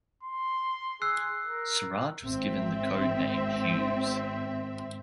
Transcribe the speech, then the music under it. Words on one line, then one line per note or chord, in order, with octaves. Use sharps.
Sarant was given the code name Hughes.
C6
G#4 E6 F#6 C7
A#4
G#1 C4 E5